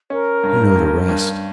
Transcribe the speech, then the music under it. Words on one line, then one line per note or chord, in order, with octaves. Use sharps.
You know the rest.
C#4 A#4
G2
G2
G2